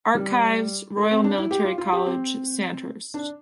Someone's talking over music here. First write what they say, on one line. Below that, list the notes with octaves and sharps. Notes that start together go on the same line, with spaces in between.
Archives, Royal Military College, Sandhurst.
G3
A3
C4
D4
E4
G4
F4
F4
G4
C4
D4